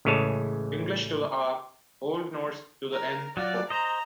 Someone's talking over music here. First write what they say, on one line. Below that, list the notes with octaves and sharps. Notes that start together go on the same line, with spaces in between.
English to the "r", Old Norse to the "n" form.
A1 C#3 E3 G#3 C#5 A5
A#4
F#3 F4 F#4 D5
C5 D#5 A#5